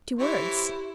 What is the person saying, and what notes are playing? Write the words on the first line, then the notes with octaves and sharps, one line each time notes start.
"Two words?"
E3 C4 E4 G4 C#5